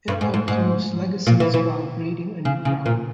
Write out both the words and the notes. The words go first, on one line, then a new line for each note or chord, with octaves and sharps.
It upholds legacies while grading a new route.
G2
G#2
G#2
G#2
A#2
E3
E3
C#3
C#3
A#2